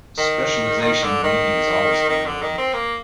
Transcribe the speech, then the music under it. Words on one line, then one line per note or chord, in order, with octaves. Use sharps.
Specialization of meaning is always going on.
D#3
D#3
D3
D#3
D#3
D3
D#3
C4
A#3